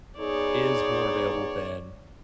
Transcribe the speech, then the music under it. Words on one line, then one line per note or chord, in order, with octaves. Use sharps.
is more available than
B3 D#4 G#4 C#5 D5